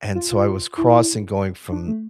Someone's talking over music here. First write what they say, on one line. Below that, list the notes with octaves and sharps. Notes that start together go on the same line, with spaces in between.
and so I was crossing going from
F4
F4
E4
D4
A3